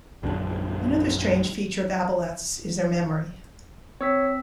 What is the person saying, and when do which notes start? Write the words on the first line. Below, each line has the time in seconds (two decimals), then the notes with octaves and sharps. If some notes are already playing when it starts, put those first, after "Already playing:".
Another strange feature of aboleths is their memory.
0.23 A#1 F#2 D3 D4
4.01 C4 C#5 E6 B6